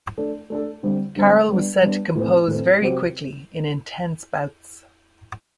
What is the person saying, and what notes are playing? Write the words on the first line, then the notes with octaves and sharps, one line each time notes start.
Caryll was said to compose very quickly in intense bouts.
A3 D4 A4
A3 D4 A4
D3 G3 C4
D3 G3 C4
G3 B3 D4
G3 B3 D4
A2 E3 A3 C4
A2 E3 A3 C4
C3 F#3 C4 G4 C5